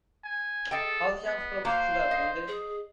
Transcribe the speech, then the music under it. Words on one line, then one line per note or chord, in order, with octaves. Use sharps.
How the young folk shoot up, don't they?
G#5
G#4 A4 D#5 G5
B3
A#3 F#4 G4 C5 F5
D#5
G#4